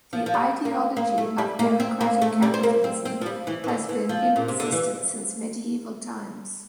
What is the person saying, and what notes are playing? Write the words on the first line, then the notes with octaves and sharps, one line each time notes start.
The ideology of "democratic capitalism" has been in existence since medieval times.
F3
F3
G3
A#3
A#3
A3
G3
A#3
C4
A#3
A3
G3
C4
A#3
C4
C4
F3
G3
E3
E3
D3
E3
F3
A#2
C3
D3
E3